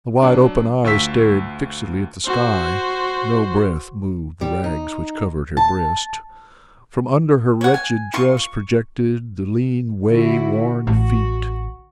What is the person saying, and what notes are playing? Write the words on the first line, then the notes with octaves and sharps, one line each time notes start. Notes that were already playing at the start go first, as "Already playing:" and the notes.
The wide-open eyes stared fixedly at the sky; no breath moved the rags which covered her breast; from under her wretched dress projected the lean way-worn feet.
F#3 D4
D2 F4 C#6 E6 B6
F#4 C5
G3
D#4
A5
C#5 F#5
G#5
F4 C6 C#6
C#6
D3 E4 F#4
A1 F#4